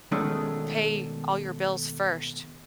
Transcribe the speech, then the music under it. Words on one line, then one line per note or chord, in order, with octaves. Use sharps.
pay all your bills first
B2 D#3 G#3 A3 C#4 D4